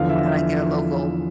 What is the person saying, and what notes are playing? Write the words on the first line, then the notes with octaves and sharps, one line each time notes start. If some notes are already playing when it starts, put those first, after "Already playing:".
uh, like, at a local
Already playing: E2 D3 F3 F5
E5
E5